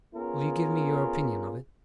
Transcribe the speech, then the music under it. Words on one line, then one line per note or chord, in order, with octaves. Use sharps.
Will you give me your opinion of it?'
B3 C#4 F4 G#4 A#4